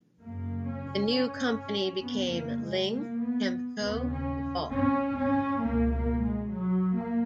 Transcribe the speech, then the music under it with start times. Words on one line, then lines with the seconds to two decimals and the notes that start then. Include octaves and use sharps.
The new company became Ling-Temco-Vought.
0.21 F#2 C#3 A#3
0.66 C#4
2.02 F2 C#3 B3
2.32 A#3
2.61 G#3
2.91 A#3
3.21 B3
3.81 D#2 C#3 B3
4.11 C#4
4.71 C#4
5.15 C#4
5.60 C#2 B2 A#3
5.91 A#3
6.21 G#3
6.50 F#3
6.95 A#3